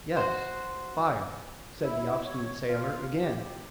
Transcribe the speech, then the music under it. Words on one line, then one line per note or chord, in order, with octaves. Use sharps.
"Yes, fire!" said the obstinate sailor again.
F#4 C5
E4
C#5
F4
G4